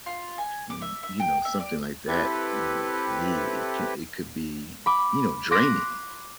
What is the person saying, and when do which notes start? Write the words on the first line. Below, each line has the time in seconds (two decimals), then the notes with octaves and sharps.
and, you know, something like that, you know, for me, it could it could be, you know, draining,
0.06 F4
0.38 G#5
0.70 D6
0.82 E5
1.03 E5
1.20 G5
1.45 E5
1.60 D5
2.08 C4 E4 G4 A4 B4
4.86 B5 D6
5.51 C6 D6 F#6 A#6 B6 D7